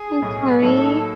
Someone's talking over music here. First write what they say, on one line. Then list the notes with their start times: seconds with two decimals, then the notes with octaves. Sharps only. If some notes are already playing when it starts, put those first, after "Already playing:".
I'm sorry.
Already playing: G#4
0.22 B1 A2 F#3
0.62 A2 F#3 A#3 D#4 A4